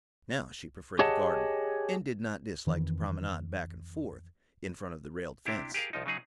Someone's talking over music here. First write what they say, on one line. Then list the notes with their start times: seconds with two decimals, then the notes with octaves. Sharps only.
Now she preferred the garden, and did not dislike to promenade back and forth in front of the railed fence.
0.99 G4 G#4 C#5 D#5 F#5 A5
2.67 F2 D#3 E3
5.45 C3 D4 E4 G4
5.74 G4 G#4 A#4 F5
5.93 C2 F3 D#4
6.06 C#3 F#3 D#4 G#4